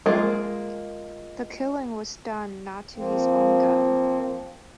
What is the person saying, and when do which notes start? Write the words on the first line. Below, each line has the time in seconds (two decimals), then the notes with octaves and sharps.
The killing was done not to his own gun.
0.06 G#3 A#3 F4
2.96 F3 A#3 C4